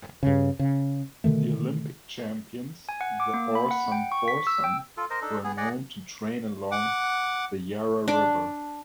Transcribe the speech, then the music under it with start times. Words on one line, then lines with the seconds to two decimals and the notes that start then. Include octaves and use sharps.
The Olympic champions, the Oarsome Foursome, were known to train along the Yarra river.
0.23 G2 C#3
0.59 C#3
1.24 B2 D3 D#3 A3
2.89 G#5
3.01 F#5
3.20 D6
3.34 A#3
3.55 B5
3.71 F#5
3.92 G5
4.12 C#6
4.28 B6
4.47 E6
4.64 G5
4.97 F4 A4
5.10 A#4 C5 D#5
5.22 D4 D#4 A4
5.44 B3 G#4
5.57 G#4 D5 D#5 F#5
6.71 F#5 D6
8.08 D4 D6